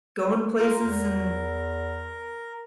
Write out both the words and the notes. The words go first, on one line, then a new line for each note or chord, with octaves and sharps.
going places and,
F4 A#4
E2 A#4